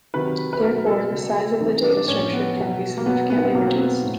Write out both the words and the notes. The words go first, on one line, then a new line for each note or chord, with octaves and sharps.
Therefore, the size of the data structure can be significantly reduced.
C3 D#3 F#3 B4
B4
B2 F#3 A#4
A4
C#3 F#3
C3 E3 D#4
D4
D4
A2 F3 C#4
B3
B2 F#3
A#3
B2 F#3 B3
B3
C4
B2 F#3 A#3
C4
B3
A2